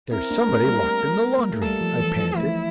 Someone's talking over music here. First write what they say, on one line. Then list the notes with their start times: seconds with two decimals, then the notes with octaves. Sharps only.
"There's somebody locked in the laundry," I panted.
0.11 C4 E4 A#4
0.31 A#3 D4
0.49 A3 C4
0.68 G3 A#3
1.38 A#3
1.53 A3
1.62 G3 A4
1.81 F3
1.99 E3
2.18 F3
2.36 A3 E4